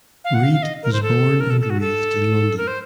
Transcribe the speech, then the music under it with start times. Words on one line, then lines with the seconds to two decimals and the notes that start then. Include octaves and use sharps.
Reid was born and raised in London.
0.24 F5
0.34 F#5
0.43 F5
0.53 F5
0.63 D#5
0.83 A#4
0.93 C5
1.02 A4
1.40 A#4
1.50 A4
1.61 A4
1.70 F#4
1.80 A4
2.57 A#4
2.67 C5